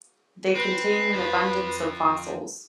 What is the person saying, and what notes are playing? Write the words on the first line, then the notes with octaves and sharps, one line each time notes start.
They contain an abundance of fossils.
C4 B4
F2 F3